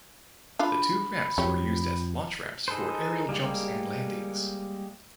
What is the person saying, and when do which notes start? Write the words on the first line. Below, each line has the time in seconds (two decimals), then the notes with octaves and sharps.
The two ramps were used as launch ramps for aerial jumps and landings.
0.59 D4 F4 B5
1.38 F2 G4 C#5
2.68 D#4 G#4 A4 B4 C5
3.29 G3 G#3 A#3 G4